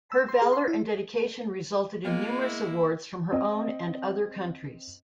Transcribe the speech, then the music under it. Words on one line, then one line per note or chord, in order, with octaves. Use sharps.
Her valor and dedication resulted in numerous awards from her own and other countries.
E6
C6
G#4
C6
E4
G#3 A#3 B3 F4 D#5
E4
C4 D#5